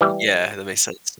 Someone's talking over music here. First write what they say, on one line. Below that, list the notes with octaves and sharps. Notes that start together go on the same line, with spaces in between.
Yeah, that makes sense.
E3 G3